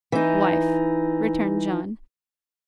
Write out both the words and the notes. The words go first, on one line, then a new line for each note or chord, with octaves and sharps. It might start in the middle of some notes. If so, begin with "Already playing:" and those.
"Wife," returned John.
E3 D#4